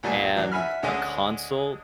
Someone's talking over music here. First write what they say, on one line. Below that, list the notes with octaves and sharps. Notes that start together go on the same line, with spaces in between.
and a console,
D2 A#2 G3 G#5 A5
E3 F#3 D4
E5 F#5 G#5 B5 F6
D2 D3 G#3 C#4 G#4 D#5